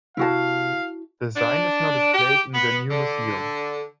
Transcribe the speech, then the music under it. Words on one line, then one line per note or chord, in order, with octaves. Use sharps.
The sign is now displayed in their new museum.
C3 E4 F#4 F5 A5
D4
G4
B3
D3